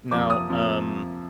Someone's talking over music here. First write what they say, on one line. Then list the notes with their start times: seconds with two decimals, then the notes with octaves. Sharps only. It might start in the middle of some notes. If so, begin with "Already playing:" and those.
Now, um,
0.11 F2 C3 F3 A#3 D6
0.30 D#6
0.48 F2 C3 F3 A#3